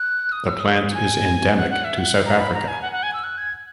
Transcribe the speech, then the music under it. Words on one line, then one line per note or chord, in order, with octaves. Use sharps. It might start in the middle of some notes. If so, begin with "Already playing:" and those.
The plant is endemic to South Africa.
Already playing: F#6
D#6
E6
D#6
G#5
F#5
F#5
E5
F#5
A#5
B5
A#5
G#5
F#5
F#5
G#5
E6
F#6
G#6